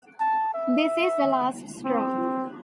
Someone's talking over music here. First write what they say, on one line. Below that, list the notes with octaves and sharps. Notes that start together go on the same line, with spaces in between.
This is the last straw.
A5
E5
C4